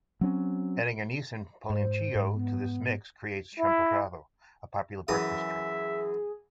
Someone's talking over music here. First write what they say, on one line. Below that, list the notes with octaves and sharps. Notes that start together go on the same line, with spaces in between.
Adding anise and "piloncillo" to this mix creates "champurrado", a popular breakfast drink.
F#3 C4 C#4
G#2 C5
G#2
B3
E4
F#2 E3 G#4 E5 D#6